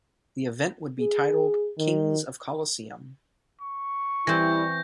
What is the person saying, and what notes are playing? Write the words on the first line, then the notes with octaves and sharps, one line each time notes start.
The event would be titled "Kings of Colosseum".
G#4
D#3
C#6
E3 G3 C4 E4 G6 A#6